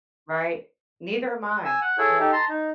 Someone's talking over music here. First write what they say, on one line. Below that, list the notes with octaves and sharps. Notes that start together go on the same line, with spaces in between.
Right. Neither am I. Yeah.
G#5 E6
F#5
E4 G#4 A4 C#5
D#4 G4 A4
A5 A#5 C6
D#4